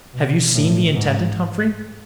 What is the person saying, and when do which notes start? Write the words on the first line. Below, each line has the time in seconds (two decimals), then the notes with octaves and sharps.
"Have you seen the intendant, Humphrey?"
0.13 B2
0.54 A2
0.95 G#2